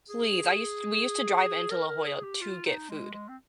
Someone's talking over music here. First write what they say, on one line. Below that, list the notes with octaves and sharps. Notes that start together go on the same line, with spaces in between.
Please. I used we used to drive into La Jolla to get food.
G#4
A#4
A#4
G#4
G4
F4
D#4
G#3
G#3
C4